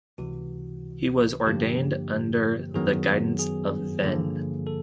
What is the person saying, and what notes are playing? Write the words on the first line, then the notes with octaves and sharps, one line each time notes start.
He was ordained under the guidance of Ven.
C#2 C3 E3 F#4
G2 D3 F3 A#3 G4
F#2 D#3 F#3 B3 G#4
G#4
G2 D3 F3 A#3
A4